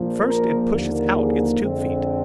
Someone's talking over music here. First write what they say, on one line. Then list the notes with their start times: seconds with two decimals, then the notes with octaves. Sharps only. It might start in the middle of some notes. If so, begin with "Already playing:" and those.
First, it pushes out its tube-feet.
Already playing: A#1 A#2 F3 A#3
0.28 A#4
0.73 D#2 D3 F3 A#3
1.17 G#4
1.60 F2 D3 G#3 C4